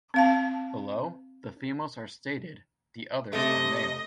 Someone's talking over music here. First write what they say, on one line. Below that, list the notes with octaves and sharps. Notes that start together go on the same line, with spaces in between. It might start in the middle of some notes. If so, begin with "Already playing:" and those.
Below, the females are stated, the others are male.
C4 F5 A5
C3 A3 D#5